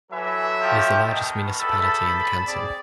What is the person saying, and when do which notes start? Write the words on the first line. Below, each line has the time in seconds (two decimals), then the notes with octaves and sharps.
It is the largest municipality in the canton.
0.11 E3 F#3 A4 E5
0.60 F3 A3 G4
1.05 B2 D#3
1.59 E2 A4 A5 B5
2.47 C4 G#4 D5